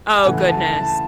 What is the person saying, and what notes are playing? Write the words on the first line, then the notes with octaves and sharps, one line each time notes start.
Oh, goodness.
G#5
C#3 E3 A3 F#5
A5
A5